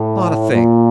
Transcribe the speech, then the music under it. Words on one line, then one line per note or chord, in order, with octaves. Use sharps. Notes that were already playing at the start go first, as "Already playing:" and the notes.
Not a thing.
Already playing: A2
A#2